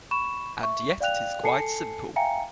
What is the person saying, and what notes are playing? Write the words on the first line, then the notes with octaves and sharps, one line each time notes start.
And yet it is quite simple.
B5 C#6 E7
E5 C#6
D5 F5 G5 F#6 F7
A4 G#5 A5 C7 C#7
E5 F5 G5 G#5 A#5 C#7